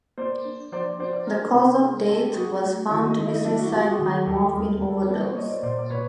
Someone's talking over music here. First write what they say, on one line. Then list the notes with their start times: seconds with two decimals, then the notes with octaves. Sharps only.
The cause of death was found to be suicide by morphine overdose.
0.18 A#3 C5 D5
0.45 D4
0.72 F3 C5 D5
0.99 D4 C5 D5
1.13 C5 D5
1.27 D4 A#4 C5
1.54 C3 A4 B4
1.81 D4 G#4 A#4
2.08 D4 G4 A4
2.35 F#3 F#4 G#4
2.63 A3
2.90 D#3 E4 F#4
3.03 D#4
3.17 D#3 D#4
3.26 E4
3.32 D#4
3.44 F#3 D4 E4
3.58 E4 F#4
3.72 F#3 F4 G4
3.85 F#4 G#4
3.99 D#3 F#4 G#4
4.26 D#2 G4 A4
4.53 G3 G#4 A#4
4.81 G3
4.90 A4
5.00 A#4
5.09 A#3 A4 B4
5.22 C5 D5
5.35 A#3 C#5 D#5
5.49 C5 D5
5.63 A#2 C5 D5
5.79 D5
5.90 A#2 B4 C#5